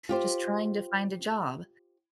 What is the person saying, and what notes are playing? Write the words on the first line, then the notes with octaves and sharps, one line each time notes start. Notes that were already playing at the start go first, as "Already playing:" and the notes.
just trying to find a job,
F4 G4 C5